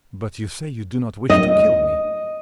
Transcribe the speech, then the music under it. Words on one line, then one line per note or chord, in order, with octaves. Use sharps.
"But you say you do not wish to kill me?"
D#5